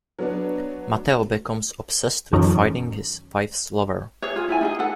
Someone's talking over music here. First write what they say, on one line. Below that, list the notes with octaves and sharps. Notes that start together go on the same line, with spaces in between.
Mateo becomes obsessed with finding his wife's lover.
F#3 B3 D4
F#2 D#3 E3 F#3 C#4 D#4
G#4 C#5
F4 G#4
E4 C#5 G#5
D#4 E4 G#4
A4 F#5